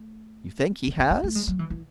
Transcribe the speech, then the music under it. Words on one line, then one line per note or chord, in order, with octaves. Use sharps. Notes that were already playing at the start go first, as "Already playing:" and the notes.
"You think he has?"
Already playing: A3
B3
B3
B3
A3
G#3
F#3
E3
E3